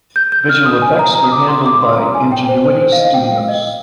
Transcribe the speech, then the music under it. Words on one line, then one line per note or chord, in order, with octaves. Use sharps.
Visual effects were handled by Ingenuity Studios.
G6
G6
F6
D#6
G#5
A#5
A#5
D#6
D6
C6
D6
C6
A#5
G#5
G5
C5
C5
C5
F5
D#5
G5
F5
D#5